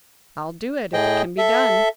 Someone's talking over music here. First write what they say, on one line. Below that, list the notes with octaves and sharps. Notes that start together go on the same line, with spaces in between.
"I'll do it--if it can be done."
A2 G#4 D#5 G5
A4 E5